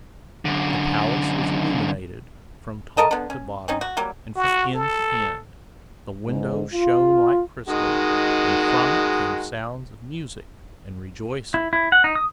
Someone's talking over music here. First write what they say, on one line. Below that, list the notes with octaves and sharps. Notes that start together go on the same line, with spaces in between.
The palace was illuminated from top to bottom and from end to end; the windows shone like crystal, and from it came sounds of music and rejoicing.
F#2 D3
A4 A#4 D#5 A5
D3 B3
C#4
C4 C#4 D#4
F#4
F#3 G3 A#3
F#4
A4
E2 G#2
F4
D#3 G#3 F#4
E4
E4
F#5
D#4
D#6